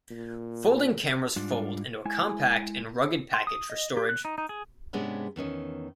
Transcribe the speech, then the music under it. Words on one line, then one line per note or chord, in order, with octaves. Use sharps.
Folding cameras fold into a compact and rugged package for storage.
A#2
G#2 G3 D4 F4
G#3 E4 G#5
C6
D#6
D#5
G4
F#6
D#4
D#4
G#4
G#2 C3 G#3 B3 C#4 D4
E2 D#3 C#4 D#5